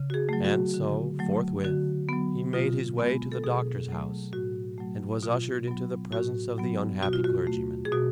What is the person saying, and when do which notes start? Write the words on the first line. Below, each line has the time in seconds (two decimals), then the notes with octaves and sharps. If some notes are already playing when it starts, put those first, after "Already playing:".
And so, forthwith, he made his way to the doctor's house, and was ushered into the presence of the unhappy clergyman.
Already playing: C#3
0.10 F#4
0.14 G#4
0.29 F#3 A3
0.44 F#4
0.74 D3
1.19 F#3 A3
1.64 D3 F#4
2.09 F#3 B3
2.53 B2 F4
2.98 G#3 B3
3.32 A4
3.43 B2 G#4
3.88 F#3 A3
4.33 A2 F#4
4.78 F#3 A3
5.23 B2 F4
5.68 F#3 B3
6.12 A2 F#4
6.58 F#3 B3
7.03 B2 F#4
7.13 F4
7.24 F#4
7.47 A3
7.85 G#4
7.92 B2 F#4